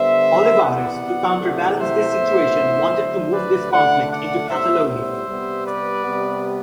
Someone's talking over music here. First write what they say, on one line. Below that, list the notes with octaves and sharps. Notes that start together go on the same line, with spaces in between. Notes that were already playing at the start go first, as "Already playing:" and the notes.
Olivares, to counterbalance this situation, wanted to move the conflict into Catalonia.
Already playing: D3 G3 B3 C5 E5
C3 E3 B3 D5 F#5
C3 E3 A3
C5 E5
A2 E3 B3
D3 F#3 A3
B4 D5
D3 A3 D5 F#5
D5 F#5
A2 G3 B3 C5 E5
C5 E5
C3 G3 B3
B4 D5
C3 G3 B3